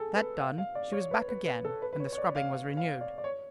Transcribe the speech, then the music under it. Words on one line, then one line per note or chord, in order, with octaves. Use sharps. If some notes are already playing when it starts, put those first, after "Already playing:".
That done, she was back again, and the scrubbing was renewed.
Already playing: G#4 A4
B4
F5
F5
D5
C#5
B4
B4
B4
A4
B4
B4
C#5
C#5
D5
F5
F5
F5
D5
D5
C#5